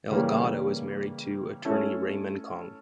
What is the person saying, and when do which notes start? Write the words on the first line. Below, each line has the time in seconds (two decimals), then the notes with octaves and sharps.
Alegado is married to attorney Raymond Kong.
0.10 C#3 E3 G3 A#3
1.65 A3 C#4 E4 A4